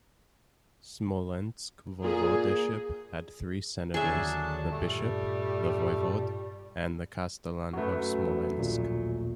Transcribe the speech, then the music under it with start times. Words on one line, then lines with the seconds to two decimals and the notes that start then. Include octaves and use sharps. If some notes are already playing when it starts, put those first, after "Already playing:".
Smolensk Voivodeship had three senators: the Bishop, the Voivode, and the Castellan of Smolensk.
2.04 A#2 G#4
3.94 D#2 D3 D#3 F#3 D4 G#4 E5 A5
4.71 G2 A#2 G3 A3
7.73 F#2 F#3 A3 F#4 B4
8.57 A#1 D#2 A#2